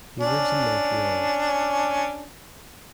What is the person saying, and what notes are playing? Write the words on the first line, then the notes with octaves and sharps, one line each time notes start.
He lives in Montreal.
C#4 D4